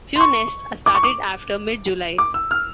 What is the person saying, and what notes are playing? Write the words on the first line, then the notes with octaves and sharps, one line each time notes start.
Few nests are started after mid-July.
C6
C#6
D6
C#6
D6
D6
E6
F6